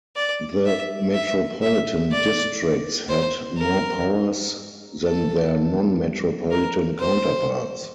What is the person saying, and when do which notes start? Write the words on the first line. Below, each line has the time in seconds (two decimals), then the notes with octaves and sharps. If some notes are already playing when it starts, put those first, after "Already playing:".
The metropolitan districts had more powers than their non-metropolitan counterparts.
0.16 D5
0.66 E5
1.14 E5
1.62 E5
2.11 D5
3.09 C5
3.57 A#4
5.04 A4
6.51 A#4
7.00 C5